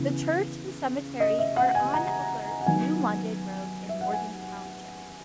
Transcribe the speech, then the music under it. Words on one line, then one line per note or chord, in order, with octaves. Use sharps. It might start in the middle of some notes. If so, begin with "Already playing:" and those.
The church and cemetery are on Alert-New London Road in Morgan Township.
Already playing: C#3 E3 B3
D#5
E5
F#5
G#5
A#5
F#5
D#3 F#3 B3 G#5
E5
F#5
G#5